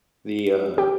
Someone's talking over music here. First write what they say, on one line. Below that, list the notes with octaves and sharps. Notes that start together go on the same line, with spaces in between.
the, uh
G4